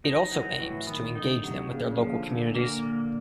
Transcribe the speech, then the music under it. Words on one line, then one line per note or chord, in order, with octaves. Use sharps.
It also aims to engage them with their local communities.
F3 D#4
E3 F#3
A2 E3
D#3 B3
D3 D#4
C3 F#3
A#2 C#3
C#3
F3
D3
A#2
D3
A#3
A#2